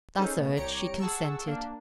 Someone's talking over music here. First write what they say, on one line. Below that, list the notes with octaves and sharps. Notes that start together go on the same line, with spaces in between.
Thus urged, she consented.
C#4 D#4 G#4 A4 C5
B2 A3 B3
C2 G4 C#5 A#5 C#7 D7
G#4 F#5 A5 C#6 E6
A#3 D4